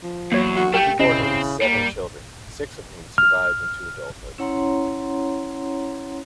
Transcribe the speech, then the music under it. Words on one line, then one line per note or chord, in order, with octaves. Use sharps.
She bore him seven children, six of whom survived into adulthood.
F3
E2 F#3 A#3 C#5
F#4
A3 G4 A#4 G5 G6
C#3 C4 C#4 E4 D#5
G3 A#3
F6
C#4 E4 C#5 F#5 A#5 C6